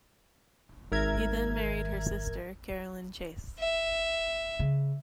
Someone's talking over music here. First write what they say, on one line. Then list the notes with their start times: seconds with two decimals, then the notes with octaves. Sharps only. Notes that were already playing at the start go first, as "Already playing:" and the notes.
He then married her sister, Caroline Chase.
0.92 G#1 A#4 E5 G#6
3.59 E5
4.59 C#3